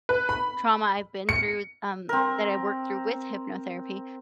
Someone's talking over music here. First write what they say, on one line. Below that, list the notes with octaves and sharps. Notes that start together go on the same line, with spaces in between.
trauma I've been through, um, that I worked through with hypnotherapy
B4
B5
C#7
C4 A#4